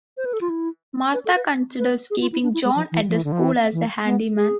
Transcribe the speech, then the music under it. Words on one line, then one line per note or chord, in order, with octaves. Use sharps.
Martha considers keeping John at the school as a handyman.
C5
B4
A4
F4
E4
B4
A4
B4
B4
G#4
F4
E4
D4
E4
G#3
F3
E3
F3
E3
D3
F3
E3
E3
B3
G#4